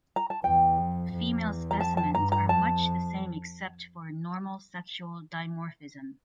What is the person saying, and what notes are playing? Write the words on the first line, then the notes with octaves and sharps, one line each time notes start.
Female specimens are much the same except for normal sexual dimorphism.
A#5
A5
E2 G5
F2
F2
E2
A#5
F2 A5
A5
G2 A#5
A#5
F2 A5